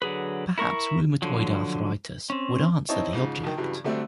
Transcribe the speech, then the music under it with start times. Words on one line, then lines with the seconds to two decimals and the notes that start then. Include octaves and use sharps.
Perhaps rheumatoid arthritis would answer the object.
0.02 D3 F#3 G#4 B4
0.58 E4 A#4 C#6
1.22 D3 F3 F#3
2.30 C4 C#4
2.89 C4 D#4 E4 C#5 A5
3.13 G#2 C#3 F3
3.43 D2 D#3
3.57 G2 C#3 E3 F#3
3.84 D3 F#3 G3 A3 C4